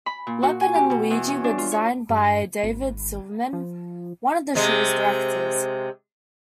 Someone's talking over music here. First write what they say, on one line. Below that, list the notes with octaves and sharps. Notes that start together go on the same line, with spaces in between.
Leopold and Luigi were designed by David Silverman, one of the show's directors.
B5
A#2
F#4
G#5
G4
B2
E2
C#4
D4
F4
C#5
G2
G#1
F3
C3 G#3